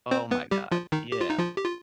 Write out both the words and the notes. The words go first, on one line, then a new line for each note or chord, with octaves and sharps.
oh my god. Yeah.
C4 C5
B3 B4
G3 G4
F3 F4
D#3 D#4
G4
F4
D#4
F3 F4
G4
F4